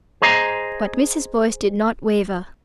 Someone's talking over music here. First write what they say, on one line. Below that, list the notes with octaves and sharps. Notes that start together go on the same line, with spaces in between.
But Mrs. Boyce did not waver.
G#4 C5 D#5 A#5